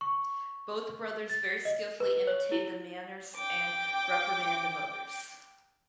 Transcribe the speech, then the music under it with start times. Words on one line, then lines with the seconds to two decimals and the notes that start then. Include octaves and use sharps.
Both brothers very skillfully imitated the manners and reprimand of others.
0.01 C#6
1.30 A6
1.65 D#5
2.00 B4
2.27 C#5
2.52 E4
3.36 G5 D6